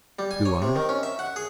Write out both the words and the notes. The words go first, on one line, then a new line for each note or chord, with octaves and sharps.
"Do I?"
G3
G#5
C#5
C3
D#3
C#4
E5
F#5
G#4